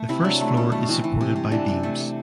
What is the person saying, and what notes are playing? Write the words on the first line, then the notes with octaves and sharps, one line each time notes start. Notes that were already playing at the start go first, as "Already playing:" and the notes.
The first floor is supported by beams.
Already playing: A3
C3 C4 E4
F#3 D4
A3
B2
A3
E3 C4
E3
C3
C3
E3 D4
C3
A3
A3